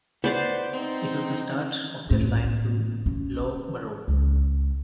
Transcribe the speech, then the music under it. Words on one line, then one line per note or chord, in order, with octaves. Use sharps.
It was the start of their line to Loughborough.
B3 C5 D5 C6
C4 D#4
A2
C#4
C#2